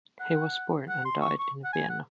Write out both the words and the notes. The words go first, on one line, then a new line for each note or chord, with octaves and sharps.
He was born and died in Vienna.
F#5
F#5
C6
C#6
C#6
F#5
G#5
F#5